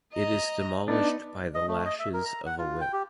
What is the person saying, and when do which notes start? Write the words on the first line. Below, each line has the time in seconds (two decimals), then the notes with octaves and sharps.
It is demolished by the lashes of a whip.
0.14 D#5 A#5
0.88 B3 D4 D#4
1.55 D#5
1.68 A3
1.86 D#5
1.99 E5
2.13 A#4
2.25 A#5
2.46 F#5
2.59 F4
2.81 G5
2.93 G4